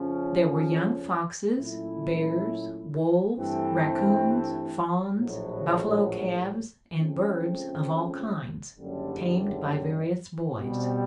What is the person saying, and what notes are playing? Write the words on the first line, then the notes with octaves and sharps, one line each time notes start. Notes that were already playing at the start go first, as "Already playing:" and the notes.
There were young foxes, bears, wolves, raccoons, fawns, buffalo calves and birds of all kinds, tamed by various boys.
Already playing: F2 C#3 F3 A3 C#4
A#2 F#3 A3 C#4 E4
G2 E3 A3 C4
A#1 A2 F#3
C#2 C#3 F3 A3 C4
F#1 F#2 D3 G3
B2 G3 C4